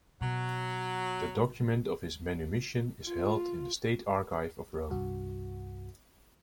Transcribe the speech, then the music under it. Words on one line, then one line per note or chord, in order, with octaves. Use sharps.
The document of his manumission is held in the state archive of Rome.
B2 F#3
F4
C2 G2 F#4